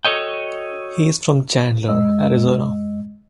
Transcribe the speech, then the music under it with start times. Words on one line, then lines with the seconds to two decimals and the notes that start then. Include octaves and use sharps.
He is from Chandler, Arizona.
0.05 F#4 A4 C#5 D#5 G5
1.89 F#2 G#3 D#5 E6